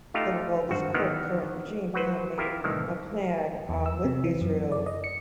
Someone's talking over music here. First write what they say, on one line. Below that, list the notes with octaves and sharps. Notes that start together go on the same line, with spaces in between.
the well, this cor current regime, they had made a plan, um, with Israel,
A3 D#4 F4 G4 F5
G#1 G2 F#4 C5
D#3 E3 B3
F#3 F#4 B4 C5
E4 F4 G4 A#4
C2 A2 D#3 E3
E2
E6
C3
E3
F#2
D5
D#5
C#7